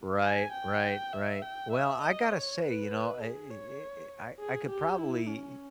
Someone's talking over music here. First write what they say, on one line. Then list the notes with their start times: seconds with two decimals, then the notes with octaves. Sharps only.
Right, right, right, well, I gotta say, you know, I, eh eh eh, I I could probably
0.23 G#5
0.52 G5
1.13 E5
1.42 G5
1.72 E5
2.01 D#5
2.32 C#5
2.61 B4
3.21 G#4
3.50 C#5
4.39 G#4
4.69 G4
4.98 E4
5.28 C#4